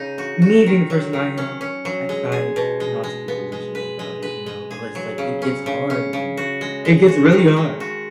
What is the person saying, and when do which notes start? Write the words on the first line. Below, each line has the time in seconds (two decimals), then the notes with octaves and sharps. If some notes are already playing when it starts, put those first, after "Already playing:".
me being the person I am, I tried not to be delusional about it, you know? But l it's like, it gets hard when it gets really hard
Already playing: C#3 D#4
0.18 F#4
0.42 F#4
0.66 D#3
0.90 F#3
1.13 D#3
1.38 C#4
1.61 C#4
1.85 F#3
2.09 G#3
2.32 G#4
2.56 B2
2.80 G#3
3.03 G#3
3.28 B3
3.52 G#3
3.75 B4
3.99 G#3
4.22 B4
4.46 G#3
4.71 G#4
4.95 F#3
5.18 C#3
5.42 C#4
5.66 C#3
5.90 C#4
6.13 C#3
6.37 F#4
6.61 G#3
6.85 G#3
7.08 F#4
7.32 D#3
7.56 G#3
7.80 F#4